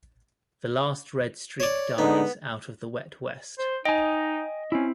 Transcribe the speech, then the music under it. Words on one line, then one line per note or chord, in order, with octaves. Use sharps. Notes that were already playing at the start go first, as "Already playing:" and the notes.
The last red streak dies out of the wet west.
C#5 D5
D3 G#3 B3 D#4
C5
D#4 D#5 G5 G#5
C4 C#4 E4